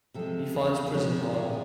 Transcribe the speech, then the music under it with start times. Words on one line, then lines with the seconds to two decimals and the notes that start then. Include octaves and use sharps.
He finds prison hard.
0.14 C3 F3 G#3 A4
0.54 E2 G#4
0.94 C3 F3 G#3
1.33 A2 G#4